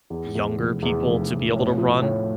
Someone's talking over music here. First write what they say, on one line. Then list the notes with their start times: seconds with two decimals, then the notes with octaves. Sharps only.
Younger people to be able to run,
0.10 E2
0.35 E2
0.59 F1
0.82 E2
1.07 F1
1.31 E2
1.54 A2
1.78 F3
2.02 A2